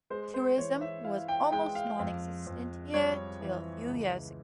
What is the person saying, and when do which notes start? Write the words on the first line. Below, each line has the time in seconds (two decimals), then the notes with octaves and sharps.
Tourism was almost non-existent here till a few years ago.
0.10 G#3 C5
0.34 C5
0.58 E3 C#5
0.81 E5
1.04 E4 F5
1.28 G5
1.52 G#3 G5
1.75 F5
1.99 F2
2.47 F2
2.94 G3 C#5
3.41 E3
3.88 C#2